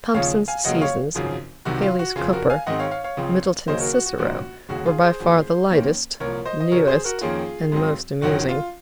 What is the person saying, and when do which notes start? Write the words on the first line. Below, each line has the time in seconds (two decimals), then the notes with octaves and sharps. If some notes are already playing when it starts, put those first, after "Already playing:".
Thomson's Seasons, Hayley's Cowper, Middleton's Cicero, were by far the lightest, newest, and most amusing.
0.14 D#2 C#3 F3 C#5 F5
0.48 F5 G#5
0.64 F2 C#3 F#3 A#3 D#5 F#5
0.81 C#5 F5
1.15 G#1 F#2 C#3 F3
1.65 C2 C3 D#3 F#3 F#4
1.82 F4
1.99 F#4
2.16 F#1 F2 C#3 F4 G#4
2.33 F#4 A#4
2.50 F5 G#5
2.66 G#1 G#2 D#3 G#3 C4 D#5 F#5
2.79 C#5 F5
2.91 C#5 F5
3.04 C#5 F5
3.17 C#2 C#3 F3 C4
3.68 D#2 C#3 F#3 A#3 C#4 C5 D#5
3.80 F#4 A#4
3.93 F#4
4.06 F#4
4.18 A#1 G#2 D#3 A#3 C#4 F#4
4.69 F1 D#2 C#3 G#3 F#4
4.85 F4 G#4
5.03 G#4 C5
5.19 G#1 F#2 F3 A#3
5.70 D#2 D#3 A#3 C#4
6.20 C2 A#2 F3 A#4 C#5
6.45 C5 D#5
6.60 D#5
6.71 F#2 C#3 F#3 C#4 A#4 C#5
6.87 G#4 C5
7.04 F#4 A#4
7.21 F2 D#3 A#3 C#4 F4 G#4
7.72 G#2 F#3 C4
8.22 F1 F2 D#3 F#3 C#4 F#4
8.48 F4